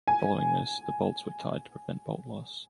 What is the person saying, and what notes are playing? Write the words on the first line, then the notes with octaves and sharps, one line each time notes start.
Following this, the bolts were tied to prevent bolt loss.
G#5